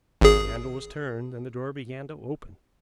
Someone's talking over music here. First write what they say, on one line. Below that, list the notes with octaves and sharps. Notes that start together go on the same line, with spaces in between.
The handle was turned, and the door began to open.
G#1 G#4